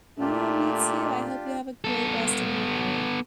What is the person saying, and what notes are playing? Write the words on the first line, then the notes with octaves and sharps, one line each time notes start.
Yeah, me too. I hope you have a great rest of your night.
A#2 A3 D4 F4 G4
B3 A4